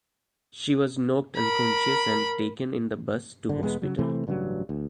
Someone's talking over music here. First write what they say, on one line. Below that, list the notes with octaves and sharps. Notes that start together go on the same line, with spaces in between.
She was knocked unconscious and taken in the bus to hospital.
A#4 B5
G1 D3
E1 G#3 B3
C#3 F#3
C3 E3 A3 C4
A1 G2 C#3 F#3
D2